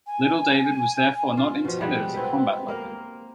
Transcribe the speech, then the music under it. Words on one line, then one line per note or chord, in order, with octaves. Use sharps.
Little David was therefore not intended as a combat weapon.
G#5
F4
B2 F3
G3 G#3 F#5
B3 C4 E4 B4
A#3 A#4 C5